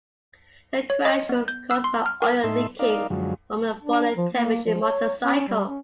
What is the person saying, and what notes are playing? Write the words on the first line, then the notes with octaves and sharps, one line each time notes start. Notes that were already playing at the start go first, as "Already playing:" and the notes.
The crash was caused by oil leaking from a fallen television motorcycle.
C#5
D#5
B3
G6
E6
C6
F6
A#4
A2 D#4 A4 E5 C6
D#4 A#4 D5 F5
F#2 D3 F3 F#3 G#3
D4
F3
A#3
F3
C#5
C#4
G3
C#4